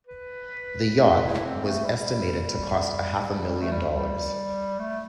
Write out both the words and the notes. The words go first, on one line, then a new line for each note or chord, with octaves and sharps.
The yacht was estimated to cost a half a million dollars.
B4
E4
C4
A3
G3
A3
G3
G3
A3